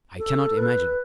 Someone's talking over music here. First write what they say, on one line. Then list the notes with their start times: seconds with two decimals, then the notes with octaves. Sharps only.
I cannot imagine.
0.18 A4
0.57 B4